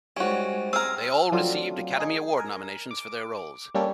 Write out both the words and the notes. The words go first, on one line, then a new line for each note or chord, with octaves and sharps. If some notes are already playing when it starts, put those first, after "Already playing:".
They all received Academy Award nominations for their roles.
G#2 G3 C#4 F#4
C4 G#4 A#5 E6 F6
F3 F#3 A3 C4 D4 F4
D#4 G#4
A#4 G#5
D6
G3 A#3 C#4 D4 G4 A4